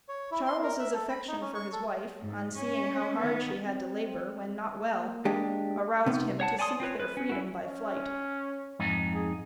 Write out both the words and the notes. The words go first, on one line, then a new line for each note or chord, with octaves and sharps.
Charles' affection for his wife, on seeing how hard she had to labor when not well, aroused him to seek their freedom by flight.
C#5
E4
C6
A#4
E5
A4
B5
D#4
C#4
C#6
A4
G#2
C#4
D#3 B3
C4
A#3
G#3 D4 G4
C3 B3 D#4
C#5 F#5 A5
D5 G#5 A5 C6 D#6
C4 F4 B4 C#5
B4
C#4
C#4 E4 F#4
C#4
F2 G#2 D#4
G#4